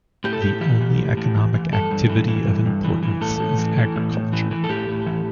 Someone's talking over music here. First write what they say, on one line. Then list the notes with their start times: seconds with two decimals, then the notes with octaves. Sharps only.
The only economic activity of importance is agriculture.
0.24 A2 G4
0.33 A4
0.42 A2 G4
0.61 E3 G4
0.81 E3
0.99 A2
1.17 A2
1.36 E3
1.54 E3
1.73 G2 A4
1.91 G2
2.09 E3
2.28 E3
2.47 G2
2.66 G2
2.85 E3
3.03 E3
3.21 A2 A4
3.40 A2
3.58 E3
3.77 E3
3.96 A2
4.14 A2
4.33 E3
4.51 E3
4.64 A4
4.69 A2 G4
4.88 A2
5.06 E3